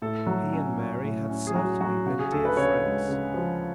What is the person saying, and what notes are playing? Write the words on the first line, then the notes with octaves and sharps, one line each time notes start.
He and Mary had certainly been dear friends.
A2 A4
F#3
C#4
C#4
A2
C#4
G#4
F#3 F#4
F#3 F#4
C#3 F#4
G#4
D2 A4
B4
C#3 C#5
G#3
C#3
F3